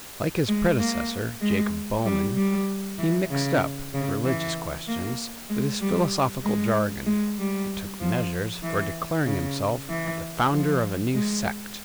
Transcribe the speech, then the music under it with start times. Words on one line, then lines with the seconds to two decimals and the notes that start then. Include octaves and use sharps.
Like his predecessor, Jacob Boehmen, he mixed up religious questions with his philosophical jargon, and took measures for declaring himself the founder of a new sect.
0.48 G#3
0.79 A#3
1.42 G#3
2.05 G3
2.37 G3
2.98 E3
3.30 C#3
3.94 C#3
4.25 E3
4.88 A#3
5.49 G#3
5.81 G3
6.44 G#3
7.06 G#3
7.39 G3
8.00 F3
8.63 E3
9.26 C#3
9.89 E3
10.52 F3
11.14 G#3